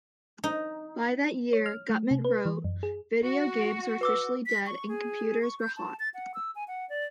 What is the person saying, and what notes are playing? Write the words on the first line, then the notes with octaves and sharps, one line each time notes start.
By that year, Gutman wrote, "Video games were officially dead and computers were hot".
D#4
C#5
F6
A3
C3
B4
E3
F#2
G#4
F#4
B4 D6 E6
B6
C#6
G#4
C#6
G6
A5
A6
F#5
E6
G#5
F#5
D5